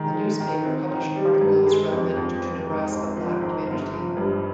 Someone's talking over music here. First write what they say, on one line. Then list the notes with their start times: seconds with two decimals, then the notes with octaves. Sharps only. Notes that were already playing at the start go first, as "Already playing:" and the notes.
The newspaper published articles relevant to Nebraska black community.
Already playing: D#3 G#3
0.15 G#3
0.40 D#3
0.65 C4
0.91 D#3
1.16 G3
1.41 G2
1.66 G#3
1.92 F2
2.17 F2
2.42 F2
2.67 G#2
2.91 G#1
3.16 F3
3.41 G#1
3.67 G1
3.92 F3
4.17 G2